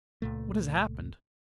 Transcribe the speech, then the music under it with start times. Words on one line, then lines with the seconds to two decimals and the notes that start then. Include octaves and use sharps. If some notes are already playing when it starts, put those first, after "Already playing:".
What has happened?
0.22 C#2 A#2 A3